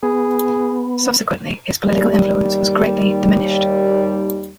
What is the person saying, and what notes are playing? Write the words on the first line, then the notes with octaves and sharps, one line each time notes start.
Subsequently, his political influence was greatly diminished.
B3 G#4
D#2 G3